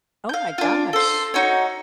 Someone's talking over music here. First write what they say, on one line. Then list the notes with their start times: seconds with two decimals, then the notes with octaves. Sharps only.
Oh my gosh.
0.29 F5 G6
0.58 D4 F4
0.93 A4 C5
1.34 D#4 F#4 C#5